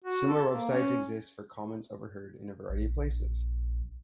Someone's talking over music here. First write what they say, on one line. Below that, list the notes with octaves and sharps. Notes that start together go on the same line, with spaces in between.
Similar websites exist for comments overheard in a variety of places.
F#4
A4
A#3
C#4
A#1